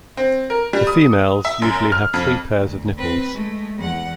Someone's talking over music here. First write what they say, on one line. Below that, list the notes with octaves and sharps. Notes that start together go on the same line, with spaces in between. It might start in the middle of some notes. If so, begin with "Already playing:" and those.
The females usually have three pairs of nipples.
C4
A#4
G3
D#6
E5
F#2
F6
F2
D2
C4 B4
G#3 A3
E2 F#5